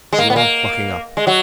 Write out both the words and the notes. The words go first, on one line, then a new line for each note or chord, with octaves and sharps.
You want bucking up.
G#3
A#3
B3
A#3
G#3
F#3